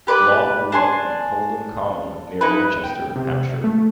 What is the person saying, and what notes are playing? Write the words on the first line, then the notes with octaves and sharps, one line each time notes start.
Lobb grew up in Colden Common near Winchester, Hampshire.
G4 B4 D5 B5
D4 G#5 C6
D#4 E4 B4
G5
C3
A3